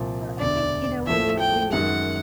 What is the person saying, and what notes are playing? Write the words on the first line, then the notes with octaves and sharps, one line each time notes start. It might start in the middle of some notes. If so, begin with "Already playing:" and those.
Uh, I think, you know, when you when you
Already playing: C2 A#2 F3
E1 D2 D3 D5
A1 A2 F3 A3 E5
G5
F#2 D#3 G#3 F#5